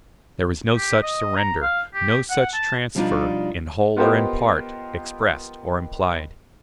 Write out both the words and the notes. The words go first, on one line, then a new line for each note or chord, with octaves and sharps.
There was no such surrender, no such transfer, in whole or in part, expressed or implied.
G4
D#5
A#5
F5
G4
F#5
A5
B2 F3 G3 D4 D#4 F4
B3 F4 G4 A#4 C5 D#5